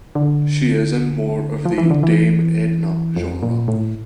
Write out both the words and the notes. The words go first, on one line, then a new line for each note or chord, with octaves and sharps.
She is in more of the Dame Edna genre.
D3
F3
E3
D3
E3
F2
A#2
A2